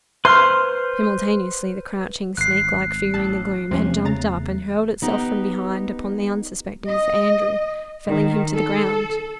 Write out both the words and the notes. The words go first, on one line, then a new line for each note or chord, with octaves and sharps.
Simultaneously the crouching, snake-like figure in the gloom had jumped up and hurled itself from behind upon the unsuspecting Sir Andrew, felling him to the ground.
B4 C5 C6 F6
G#1 F#6 C7
A1 A5
E2 C3 F3 A3 C#4
C#3 A#5 A6
B3 D#4 G4
D#5
D#3
A4